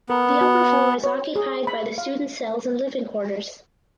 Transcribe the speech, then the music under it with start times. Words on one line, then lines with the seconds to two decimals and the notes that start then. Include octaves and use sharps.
The upper floor is occupied by the student cells and living quarters.
0.09 B3 A#4
0.41 F#4
0.72 G#5
1.04 C#5
1.36 G#4
1.67 B5
1.98 F5